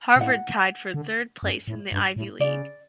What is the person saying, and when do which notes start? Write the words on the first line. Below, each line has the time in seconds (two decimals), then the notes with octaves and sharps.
Harvard tied for third place in the Ivy League.
0.16 B2
0.21 A2 F#5
0.94 D3
1.43 F#2
1.68 A2
1.92 G2
2.16 A2
2.40 C#3 D5